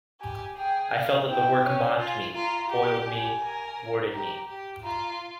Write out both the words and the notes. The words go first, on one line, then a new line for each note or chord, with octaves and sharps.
I felt that the work mocked me, foiled me, thwarted me.
G4 G#5
G#4 G5
F5
E4 G5
C#4
F4 G#5
F4 A#5
G4
G#5
A#4
G4 A#5
G4
F4 A#5